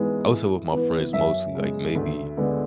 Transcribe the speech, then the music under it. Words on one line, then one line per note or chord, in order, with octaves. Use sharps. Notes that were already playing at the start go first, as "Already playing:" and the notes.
I would say with my friends mostly, like, maybe
Already playing: G#2 E3 G#3 B3
A2
E3 B3
F#2 E5
C#3 G#3
D2
D3 G#3 B3